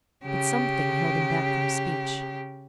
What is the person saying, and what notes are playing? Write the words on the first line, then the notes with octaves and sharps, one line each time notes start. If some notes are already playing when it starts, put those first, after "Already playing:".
But something held him back from speech.
C#3 G4